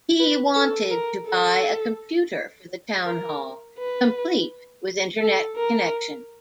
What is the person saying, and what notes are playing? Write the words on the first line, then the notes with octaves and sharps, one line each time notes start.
He wanted to buy a computer for the town hall, complete with internet connection.
B4
A4
A#4
A4
A#4
B4
A4
A#4